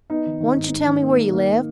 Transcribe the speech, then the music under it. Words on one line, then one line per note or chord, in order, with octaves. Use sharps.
Won't you tell me where you live?
B3 D#4
D#3
D#3
G#2
G#2
D#3
A#3
A#3
A#3